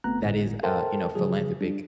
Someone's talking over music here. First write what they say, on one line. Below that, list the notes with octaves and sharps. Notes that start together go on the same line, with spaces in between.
that is, uh, you know, philanthropic,
G1 A3 B3 C4 A#5 F#6
G1 A2
A4 A#4 C5 G5 A5
C#3 F3 F#3 G#4
G3 D4